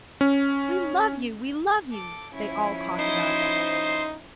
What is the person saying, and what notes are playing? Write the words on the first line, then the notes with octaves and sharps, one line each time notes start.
"We love you, we love you!" they all caught it up.
C#4
A4 D6
F3 C#4 E4
D#4 C5